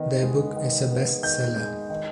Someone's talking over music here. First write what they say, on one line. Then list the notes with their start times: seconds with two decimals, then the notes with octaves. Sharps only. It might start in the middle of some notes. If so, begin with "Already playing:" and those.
Their book is a best seller.
Already playing: D#3 B3
0.23 G#3
0.56 D#3
0.90 B3
1.23 D#3 G6
1.56 G#3
1.90 D#3